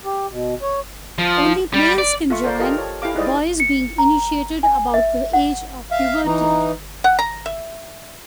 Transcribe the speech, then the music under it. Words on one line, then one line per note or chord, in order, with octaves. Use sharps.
Only males can join, boys being initiated about the age of puberty.
G4
B2
C#5
F3
G3
D5
F4 A4 E5 C#6
A4 C5 D5
F4 G4 A4 A#4 D#5 F5
C#5 A5
E4 G4 A4 F5 D6
D#4 E4 G#4 C5 D5 D#5
C#7
A#5
G#5
E5
F#5
E5 F5
E3 D#4
F#5
A#5
E5